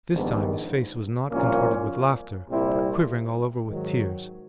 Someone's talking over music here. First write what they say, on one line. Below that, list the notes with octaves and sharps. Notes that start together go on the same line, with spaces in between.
This time his face was not contorted with laughter, but quivering all over with tears.
A#1 G#2 D#3 G3 B3
C2 A#2 F3 A#3 C#4
C2 A#2 G3 C4 E4
G#2 D#3 F#3